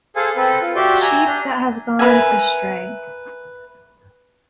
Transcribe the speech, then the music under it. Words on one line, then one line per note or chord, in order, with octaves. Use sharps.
Sheep that have gone astray.
G#4 A4 C5 F5 G#5
C4 A4 B4
F4
F#4 G4 D5 E5 C6
E5 G#5 A#5
D4 G6
A#4 B4 E5 G#5